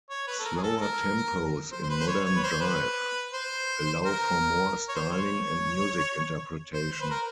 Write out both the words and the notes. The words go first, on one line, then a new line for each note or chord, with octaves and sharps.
Slower tempos in Modern Jive allow for more styling and music interpretation.
C#5
B4
A4
A#4
G#4
A4
A4
A#4
C5
C5
B4
C5
C#5
C#5
B4
C5
B4
C5
A#4
C#5
C5
C#5
C5
C5
B4
A#4